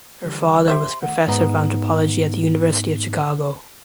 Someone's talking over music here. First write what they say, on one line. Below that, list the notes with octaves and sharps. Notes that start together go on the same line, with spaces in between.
Her father was professor of anthropology at the University of Chicago.
D3 E3 G3
G4 C5 E5 C6
D#3 A3 F#5
G#2 B3 D#4